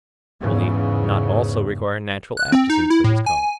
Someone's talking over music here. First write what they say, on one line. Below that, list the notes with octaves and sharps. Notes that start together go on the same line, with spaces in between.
Will he not also require natural aptitude for his calling?
E2 G#2 C#3
F#6
C4
D#4
E4
A2
G#5